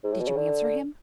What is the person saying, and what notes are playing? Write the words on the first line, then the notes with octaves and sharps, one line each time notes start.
"Did you answer him?"
G#2
A2
B2
C#3
D3